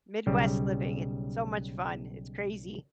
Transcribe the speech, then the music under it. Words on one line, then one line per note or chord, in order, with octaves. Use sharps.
Midwest living, it's so much fun, it's crazy.
B1 C#3 G3